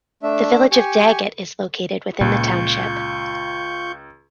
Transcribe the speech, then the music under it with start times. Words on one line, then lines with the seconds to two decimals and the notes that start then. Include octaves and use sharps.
The village of Daggett is located within the township.
0.23 A3 D4 E5
0.71 G4 G#5 C#6
2.21 C#2 A#2 F4 C#6 G6